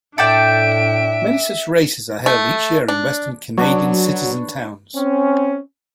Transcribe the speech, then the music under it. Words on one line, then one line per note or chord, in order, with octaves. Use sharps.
Many such races are held each year in Western Canadian cities and towns.
A2 D4 A4 D5 E5 G5 D7
A3
D4
F#3 D4 B4 C#5
C4 C#4